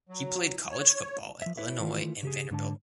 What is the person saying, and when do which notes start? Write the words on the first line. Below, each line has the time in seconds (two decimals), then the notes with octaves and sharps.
He played college football at Illinois and Vanderbilt.
0.09 F#3
0.70 C#5
1.42 F3 E5
1.57 E4 B4 C#5 E5
1.80 D#3 E3 A3 F4
2.23 C#3 G4 G#4
2.51 G#2 D3 A5